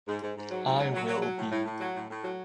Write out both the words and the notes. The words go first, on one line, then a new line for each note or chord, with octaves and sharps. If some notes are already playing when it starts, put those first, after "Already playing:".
I will be.
G#2
G#2
G#2
F#3
G#2
F#3
F#3
F#3
F#3
A2
A2
A2
F#3
A2
A2
F#3